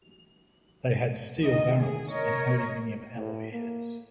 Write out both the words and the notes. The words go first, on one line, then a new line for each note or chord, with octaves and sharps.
They had steel barrels and aluminium alloy heads.
D2 D#3 D#5
G#4
A#4 C#5 D#5
A2
A#3